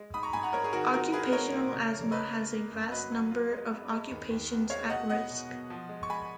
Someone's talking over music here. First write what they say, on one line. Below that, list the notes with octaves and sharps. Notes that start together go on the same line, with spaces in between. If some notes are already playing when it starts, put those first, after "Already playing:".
Occupational asthma has a vast number of occupations at risk.
Already playing: G#3
G#2 B5 D#6
A#5 C#6
G#2 G#5 B5
F#5 A#5
G#2 A#4 C#5
G#4
D#3 F#4 A#4
F4 F#4 A#4
F4 G#4 B4
G#3 A#4 C#5
A#2
C#3
A#3
C#3 B4 D#5
A#3
A#3
F#2
F#3 B4 D#5
F#3
F4
G#3
B3
G#3
D#2
D#2
B3
G#3 C#5 F5
B2 D#5 F#5
B3 D#5 F#5
B2
B2
F3
G#3
C#6
G#3 G#5 B5